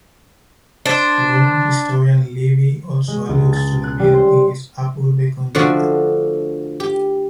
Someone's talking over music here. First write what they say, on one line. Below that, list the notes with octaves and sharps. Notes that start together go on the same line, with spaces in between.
The Roman historian Livy also alludes to the myth in his "Ab Urbe Condita".
D4 C5
G#3
C#2
A6
F#6
G3
C5
D3 F3 A3 F#4 D5
G4